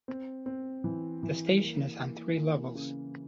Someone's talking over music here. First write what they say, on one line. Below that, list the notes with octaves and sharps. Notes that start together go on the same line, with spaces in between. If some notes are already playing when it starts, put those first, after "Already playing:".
The station is on three levels.
C4
C4
E3
E3
A#3
A#3
A#3
C#3